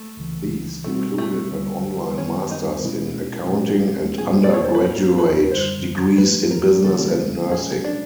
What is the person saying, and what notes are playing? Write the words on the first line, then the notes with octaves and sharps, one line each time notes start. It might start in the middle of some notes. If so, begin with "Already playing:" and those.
These included an online masters in accounting and undergraduate degrees in business and nursing.
Already playing: A3
C#2 C#3 E3
B2 G3 A3 C4 D#4 F#4
A3
D2 D3 G3
F#2 D#3 G3 B3 C#4 E4
D#4
B2 G#3 C#4 E4
A#2 F3 G#3 C#4 F#4
B2 G3 A#3 D4 F4 G#4
D5
C#5
C5
B4
A2 F#3 A#3 D#4 F#4 A#4
B4
F#2 D3 G3 C5
G#2 F3 A3 B4
A#4
C#3 E3 G3 A#3 C#4 A4
A#2 F3 G#3 C#4 G#4
D4